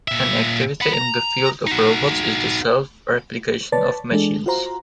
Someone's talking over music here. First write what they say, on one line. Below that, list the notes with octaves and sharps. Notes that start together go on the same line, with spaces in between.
An activity in the field of robots is the self-replication of machines.
A#2 E5
F#5 B5
A#5
D#4 F#4
B4 C#5 D5 A5 A6
E3 G#3 D4 A4
F4 F#4 C5 A#5